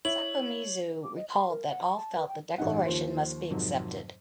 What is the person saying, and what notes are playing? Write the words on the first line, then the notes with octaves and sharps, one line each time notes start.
Sakomizu recalled that all felt the declaration must be accepted.
E4 C#5 F#7
D6
D#5
C6
A#4
F#5
C#6
A5
B4
G5
A1 G2 D#4 F#5
D#2 F3 F4 C5
F2 G#2 C3 D#3 F3 F#3